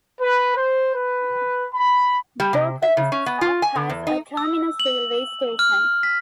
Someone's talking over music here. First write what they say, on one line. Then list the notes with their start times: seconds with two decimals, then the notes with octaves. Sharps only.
Berkovitsa has a terminus railway station.
0.21 B4
0.57 C5
0.95 B4
1.74 B5
2.40 G3
2.53 C3
2.83 E5
2.97 C#3
3.12 C#4
3.26 B3
3.41 F4
3.62 G#5
3.76 D3
3.90 E2
4.07 D#4
4.37 E6
4.80 F#7
5.59 F6
6.03 B6